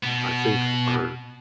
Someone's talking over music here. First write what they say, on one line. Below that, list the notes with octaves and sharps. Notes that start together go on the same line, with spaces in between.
I think are
B2 B3